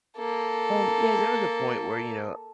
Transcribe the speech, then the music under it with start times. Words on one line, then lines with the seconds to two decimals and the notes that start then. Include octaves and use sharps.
Um, yeah, there was a point where, y you know,
0.17 A#3 A4